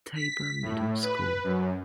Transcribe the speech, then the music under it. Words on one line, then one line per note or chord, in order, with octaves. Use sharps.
Tabor Middle School.
B6
A2
B4
F#2